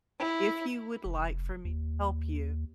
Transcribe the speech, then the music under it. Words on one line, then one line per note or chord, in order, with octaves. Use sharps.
If you would like for me to help you,
E4
F1
D#2